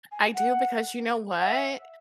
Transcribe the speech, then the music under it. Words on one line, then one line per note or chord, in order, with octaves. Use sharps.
I do because you know what,
G#5
F#5
F#5
E5